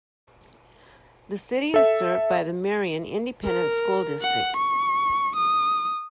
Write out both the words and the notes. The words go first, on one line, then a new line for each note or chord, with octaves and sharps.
The city is served by the Marion Independent School District.
A4 E5
A#4
F#5
C#6
D#6